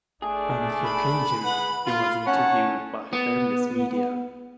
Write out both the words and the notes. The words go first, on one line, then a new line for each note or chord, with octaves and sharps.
On the occasion, he was interviewed by various media.
A3 D4 G#4
B5
G#3 B4 F#5
F4
D#3 C#4 C#5 F#5 A5
B3